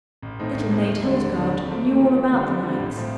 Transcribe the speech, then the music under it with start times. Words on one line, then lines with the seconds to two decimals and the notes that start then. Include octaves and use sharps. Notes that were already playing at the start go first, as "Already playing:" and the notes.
Little Maid Hildegarde knew all about the knights.
0.22 A1
0.39 A2 A3 C4 D#4
0.54 A1
0.71 A2 A3 C4 D#4
0.87 D#2
1.03 D3 G3 C4
1.19 D#2
1.35 D3 G3 C4
1.51 F2
1.67 D#3 A3 C4 F4
1.83 F2
1.99 D#3 A3 C4 F4
2.15 F2
2.31 D3 G3 C4 F4
2.47 F2
2.63 D3 G3 C4 F4
2.80 A1
2.95 A2 A3 C4 F4